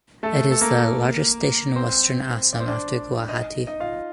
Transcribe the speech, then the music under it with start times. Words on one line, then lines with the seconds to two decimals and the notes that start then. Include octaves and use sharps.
It is the largest station in Western Assam after Guwahati.
0.23 A3 A4
0.51 A4
0.61 A#3 A#4
1.76 C4 C5
2.53 D5
2.60 C5
2.68 D4 D5
3.29 D#4 D#5
3.67 D#4 D#5
3.80 F4 F5